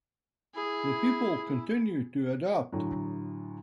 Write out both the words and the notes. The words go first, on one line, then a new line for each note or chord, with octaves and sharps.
The people continued to adapt.
E4 G#4
D2 A2 F#3